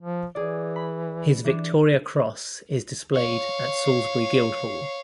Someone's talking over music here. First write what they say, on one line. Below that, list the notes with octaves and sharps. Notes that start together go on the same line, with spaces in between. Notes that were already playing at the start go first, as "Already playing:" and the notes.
His Victoria Cross is displayed at Salisbury Guild Hall.
F3
E3 G#4 D5
B5
E3 D4
C#5 F5